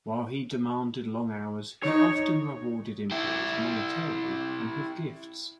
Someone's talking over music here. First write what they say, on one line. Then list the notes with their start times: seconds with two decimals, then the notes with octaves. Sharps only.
While he demanded long hours, he often rewarded employees monetarily and with gifts.
1.84 D#4 C#5
3.11 E4 G4